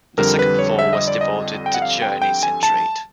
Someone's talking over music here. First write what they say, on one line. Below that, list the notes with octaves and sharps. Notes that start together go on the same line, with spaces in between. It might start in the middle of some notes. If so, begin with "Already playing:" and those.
The second floor was devoted to journeys and trade.
F2 D3 G3 A#4
B4
C#5
E5
D#5
D5
D#5
G5
F#5
F5
G5
G5
G#5
A5